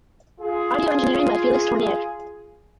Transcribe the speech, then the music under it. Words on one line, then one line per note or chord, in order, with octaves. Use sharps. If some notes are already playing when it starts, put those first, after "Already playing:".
Audio engineering by Felix Tournier.
F4 G#4